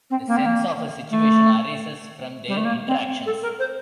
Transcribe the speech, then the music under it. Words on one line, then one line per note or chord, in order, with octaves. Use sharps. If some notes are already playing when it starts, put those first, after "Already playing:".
The sense of a situation arises from their interactions.
C4
A#3
C4
A#3
A3
G3
A3
A#3
C4
A4
A#4
C5